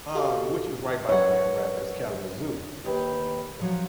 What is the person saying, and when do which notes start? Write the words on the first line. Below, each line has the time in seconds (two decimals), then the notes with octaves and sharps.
um, which is right by Grand Rapids, Kalamazoo.
0.15 F#4 G4 A4 D#5 F5
1.09 F#2 B4 C#5 F#5
2.85 D#2 G4 B4
3.59 D3 F3 F#3